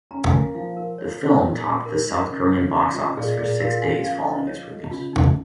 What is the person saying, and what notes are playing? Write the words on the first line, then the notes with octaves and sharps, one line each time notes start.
The film topped the South Korean box office for six days following its release.
C#4 A#5
A#3 G#5
F3 F5
F4 A#4
G#3 C#5
F3
A#2
A#2
D#4 A#4
G#3
C#3
C#3
C#4 D#4
G#3 F4
A#2 G#4
A#2 G#4
F4 A#4
C#4 G#5
F3 F5
F3 D#5
F4 C#5
G#3
C#3 F4
C#3 D#4